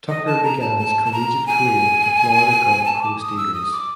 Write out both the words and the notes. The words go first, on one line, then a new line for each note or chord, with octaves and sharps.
Tucker began his collegiate career with the Florida Gulf Coast Eagles.
D#5
A5
A#5
A5
A5
A5
A#5
G#5
A5
D6
D#6
E6
D#6
D6